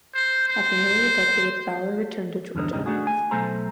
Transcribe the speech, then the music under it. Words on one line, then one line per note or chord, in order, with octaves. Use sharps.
After nearly a decade, Fowler returned to Georgia.
C5
C5
E2 G2 D3 D#4
G#2 C#3 G3 D#4
A3 B3 D4 F#4 G#4
G#5
B1 A3 A4 C5 A#5